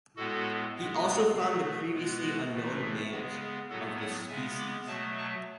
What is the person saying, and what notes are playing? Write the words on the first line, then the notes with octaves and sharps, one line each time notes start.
He also found the previously unknown males of the species.
A2 G#3 B3 F#4 A4
B2 G#3 B3
B2 A3 G#4
B2 G#3 B3
F#4
A2 E3 A3
G#4
C#3 G#3 B3 F#4
G#4
A2 F#3 B3 F#4 A4
D5 F#5
C#3 G#3 B3 E5 G#5
B5 D6
B2 F#3 A3 A5 C#6
A5 C#6